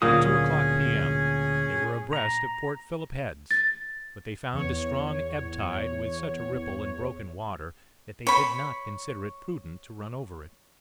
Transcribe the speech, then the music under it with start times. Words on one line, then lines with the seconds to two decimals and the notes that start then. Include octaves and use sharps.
At two o'clock p.m. they were abreast of Port Philip Heads; but they found a strong ebb tide, with such a ripple and broken water that they did not consider it prudent to run over it.
0.02 D2 A#2 F#3 A#3 C#4 G#4 D#6
2.13 A#5
3.51 A6
4.53 E2 C#5
8.27 C#5 B5